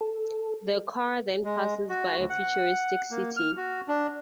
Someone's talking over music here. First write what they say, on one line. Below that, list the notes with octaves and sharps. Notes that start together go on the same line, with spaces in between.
The car then passes by a futuristic city.
A4
G#3
F#4
D2
F#5
A#3
F6
F#4
D4